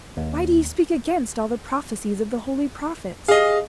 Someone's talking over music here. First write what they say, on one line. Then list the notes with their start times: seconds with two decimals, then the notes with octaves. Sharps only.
Why do ye speak against all the prophecies of the holy prophets?
0.17 D#2
3.28 G#4 D#5 F5